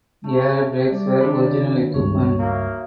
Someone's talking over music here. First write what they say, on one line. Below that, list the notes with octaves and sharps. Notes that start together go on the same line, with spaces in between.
Air brakes were original equipment.
A3
G3 D5
D#3 F#3 D4 B5
C#2 G2 C#5
A#3 D#4 E4 F5